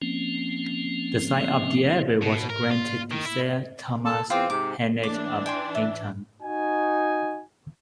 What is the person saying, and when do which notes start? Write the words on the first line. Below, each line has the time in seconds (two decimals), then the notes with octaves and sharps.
The site of the abbey was granted to Sir Thomas Heneage of Hainton.
0.02 F3 A#3 C4 C#4
2.22 B2
2.50 A#4
2.71 F4
3.12 D#3
3.26 E4
4.05 A4
4.30 E2 C4 F4 C5 D6
4.50 G#2 C3 D6
5.03 E3 D4 D6
5.46 G5 G#5 C6
5.75 E5
6.43 D#4 F#4 G#5